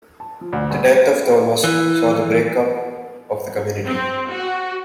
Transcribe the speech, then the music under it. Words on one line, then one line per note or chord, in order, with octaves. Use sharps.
The death of Thomas saw the break-up of the community.
A5
F3
D2
G2
E3
C4
F#4